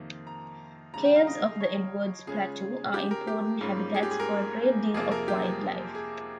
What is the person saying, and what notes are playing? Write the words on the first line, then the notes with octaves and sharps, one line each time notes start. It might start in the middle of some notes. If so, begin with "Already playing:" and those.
Caves of the Edwards Plateau are important habitats for a great deal of wildlife.
Already playing: F2 C3 D#3 A#3
A#5
D#2 C#3 G3 A#5
G5
F5
D#5
C#5
C#3 G#3 C#4 F4 G#4
G4
A#4
G4
G#2 G3 A#3 C#4 F4
G#4
G4
G#4
A#4
F2 C3 F3 A#3 G#4
A#4
G4
G#4